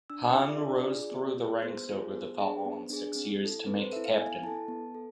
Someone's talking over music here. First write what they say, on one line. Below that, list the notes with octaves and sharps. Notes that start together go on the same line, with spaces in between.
Haan rose through the ranks over the following six years to make Captain.
D4 E6
D6
F4 G#4 E5
D5
D4
F4 G#4
B3
F4 G#4
B3 C5
F4 G#4
B3
D4 G#4
B3
D4 G#4
C4
E4 A4
C4 B4
C5
E4 A4 E5
F5
B3 G#5
E4 A4 A5
B3
A4